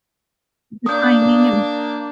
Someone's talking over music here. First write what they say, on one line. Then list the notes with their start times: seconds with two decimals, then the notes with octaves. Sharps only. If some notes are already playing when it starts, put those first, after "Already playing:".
the timing and
0.86 A#3 D4 D5 D#6 G6